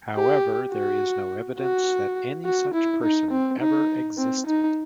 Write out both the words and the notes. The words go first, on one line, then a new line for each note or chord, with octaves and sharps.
However, there is no evidence that any such person ever existed.
G4
F#4
F#4
F#4
E4
D#4
C4
D#4
C4
D#4